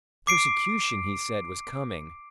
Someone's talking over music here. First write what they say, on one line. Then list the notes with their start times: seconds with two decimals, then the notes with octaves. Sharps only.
Persecution, he said, was coming.
0.27 D6 C7 D7